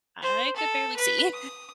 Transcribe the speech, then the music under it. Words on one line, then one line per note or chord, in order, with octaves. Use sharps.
I could barely see.
C5
A4
B4
D#6